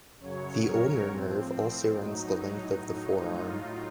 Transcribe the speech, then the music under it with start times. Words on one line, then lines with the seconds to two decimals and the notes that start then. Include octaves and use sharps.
The ulnar nerve also runs the length of the forearm.
0.20 F#2 C#3 F#3 C#5
0.65 A#4
1.09 A2 F3 C4
1.99 A2 F#3 D#4
2.87 A2 F#3 D#4
3.32 F4